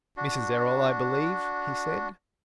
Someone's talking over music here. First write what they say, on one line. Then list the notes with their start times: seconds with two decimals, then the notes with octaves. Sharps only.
"Mrs. Errol, I believe?" he said.
0.17 D4 F#4